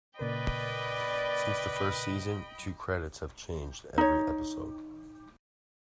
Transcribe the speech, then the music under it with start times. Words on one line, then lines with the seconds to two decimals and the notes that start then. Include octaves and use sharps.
Since the first season, two credits have changed every episode.
0.19 A#2 C#3 A#4 B4 D5 D#5 G5 B5
3.98 D#4 C#5